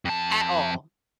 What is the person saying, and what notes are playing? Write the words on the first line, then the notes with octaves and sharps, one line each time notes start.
at all.
F2 A5